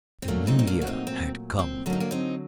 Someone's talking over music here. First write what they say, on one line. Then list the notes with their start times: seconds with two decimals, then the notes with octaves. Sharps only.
The new year had come.
0.22 C4
0.28 A#2 F#3 A3 A#3 D4
0.47 C4 D#4
0.59 C4
0.67 A#3 D4
0.81 F#4
0.87 C4 D#4
1.07 C4
1.59 C4
1.86 D3 F#3 A#3 D4
1.93 D#4
2.00 A#3 D4
2.11 C4 D#4